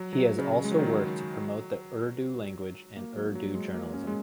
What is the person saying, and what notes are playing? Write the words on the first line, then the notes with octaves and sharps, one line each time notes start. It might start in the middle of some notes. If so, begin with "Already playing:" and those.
He has also worked to promote the Urdu language and Urdu journalism.
Already playing: F#3
F#3
C#3
G#3
F#3
D#3
F#3
A#3
F#3
F#3
G#3
A#3
C#4
G#3